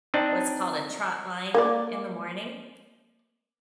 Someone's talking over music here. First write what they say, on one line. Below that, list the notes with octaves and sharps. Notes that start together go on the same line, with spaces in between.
what's called a trot line in the morning
C4 D4 D#4
A#3 D5